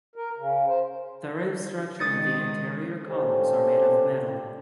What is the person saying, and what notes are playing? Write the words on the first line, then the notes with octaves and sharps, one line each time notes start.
The roof structure and the interior columns are made of metal.
A#4
C#3
C5
D#3 G#3 D#6 A6 C#7
C#4 D4 F4 G4 A4 C5